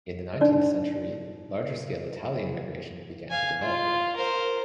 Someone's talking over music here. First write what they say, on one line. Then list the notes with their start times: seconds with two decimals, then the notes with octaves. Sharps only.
In the nineteenth century, larger scale Italian immigration began to develop.
0.41 D4 D#4 D5
3.30 F5 G#5
3.62 F4
4.16 A#4 C5